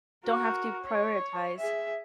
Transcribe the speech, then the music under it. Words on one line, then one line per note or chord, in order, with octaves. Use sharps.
don't have to prioritize.
F#4 A#4
C#5
G#4 E5